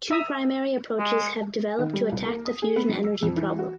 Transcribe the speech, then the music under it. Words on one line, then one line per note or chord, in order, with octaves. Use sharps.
Two primary approaches have developed to attack the fusion energy problem.
E5 A#5 D#6
G#3
D#3
G3
C2
A#3
D#6
G#4
B3
F#3
E6
F2
E3
F#4